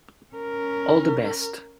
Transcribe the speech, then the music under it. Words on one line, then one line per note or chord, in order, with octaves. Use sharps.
All the best.
C#4 A#4